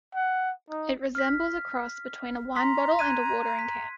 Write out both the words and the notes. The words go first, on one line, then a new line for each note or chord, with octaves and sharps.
It resembles a cross between a wine bottle and a watering can.
F#5
D#4
F6 B6
A#5 C6 B6
F#6 G#6 D#7
B6